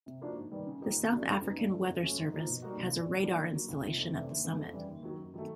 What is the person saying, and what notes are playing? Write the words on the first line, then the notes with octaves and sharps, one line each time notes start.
The South African Weather Service has a radar installation at the summit.
C3
F3 A#3 D4 F#4
G#2
D#3 G3 B3
C#3
F3 A#3 D#4 G4
D#2
C#3 F#3 A3 D4
F2
C#3 F#3 B3 D#4
G2
D3 F3 A3
F2
C#3 F#3 A3 C#4
G#2
F3 A#3 D#4
B2
G3 A#3 D#4 F#4
C2
A#2 F3
D3
G3 A#3 D4 F4
D3
F#3 A#3
C#2
C3 F3
F2
C3 E3 A3 D4
D#2
C#3 E3 G#3
F2
C#3 E3 G3
D#2
D#3 F#3
F#2
D#3 F#3 A3